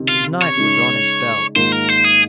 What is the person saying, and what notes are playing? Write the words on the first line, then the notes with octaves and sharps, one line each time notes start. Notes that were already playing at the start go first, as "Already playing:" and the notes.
His knife was on his belt.
Already playing: C#2 C3 D#3
F4
C#5
C#3 G#3 D#4
G#2 D#3 A#3 F4 C5
A#4
C5
G#4